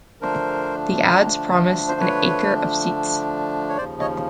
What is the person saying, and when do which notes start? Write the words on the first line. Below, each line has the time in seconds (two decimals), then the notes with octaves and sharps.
The ads promised "An acre of seats".
0.21 D3 F3 A3 D4 A#4 C5
1.88 C5
2.00 B4 C#5
3.69 C#5
3.78 D#2 C#3 F3 C5 D5
4.00 C#5 D#5